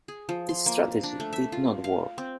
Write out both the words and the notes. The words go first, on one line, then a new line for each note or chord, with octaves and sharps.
This strategy did not work.
G#4
F3
C6
A#3
D4
A3
E5
F4
F5
C4